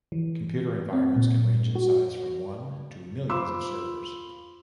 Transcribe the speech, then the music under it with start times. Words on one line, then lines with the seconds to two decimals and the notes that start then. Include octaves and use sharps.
Computer environments can range in size from one to millions of servers.
0.12 E3
0.93 C4
1.16 A#2
1.75 F#4
3.29 F4 C5 B5 C6 D6 E6